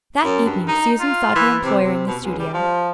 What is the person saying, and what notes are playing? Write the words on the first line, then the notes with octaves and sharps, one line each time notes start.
That evening Susan sought her employer in the studio.
F#2
G2
D#4
F4
E3
C3
C3
B2
C#2
G3
F3